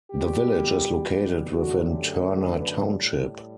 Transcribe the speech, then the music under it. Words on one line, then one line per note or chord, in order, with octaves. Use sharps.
The village is located within Turner Township.
B2 G3 G4
F#2 D3 A3 F#4
G4
A4
B4
A2 G3